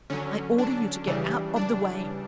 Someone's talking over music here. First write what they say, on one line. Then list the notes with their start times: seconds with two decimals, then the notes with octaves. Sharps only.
I order you to get out of the way.
0.10 D3 F#3 C#4
0.58 D4
1.07 C#3 E3 G3
1.56 D4